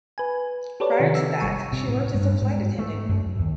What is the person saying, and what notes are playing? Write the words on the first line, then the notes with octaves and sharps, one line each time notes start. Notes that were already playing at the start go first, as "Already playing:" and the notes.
Prior to that, she worked as a flight attendant.
B4 G#5
G4 A4 B4 C#5 D5
C3 D#3 F3
E6
G#1 G3 C#6 D#7
C3
A2
G2
G#2
A3
F#2
D#2